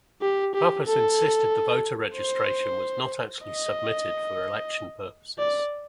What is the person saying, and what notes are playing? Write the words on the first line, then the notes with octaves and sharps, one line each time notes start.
Pappas insisted the voter registration was not actually submitted for election purposes.
G4
G4
A4
C5
D#5
D5